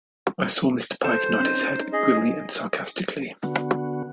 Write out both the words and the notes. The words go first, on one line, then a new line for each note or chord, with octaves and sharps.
I saw Mr Pike nod his head grimly and sarcastically.
A4 C5
C4 C#4 D#4
G#4 D#5
D3 B3 F#4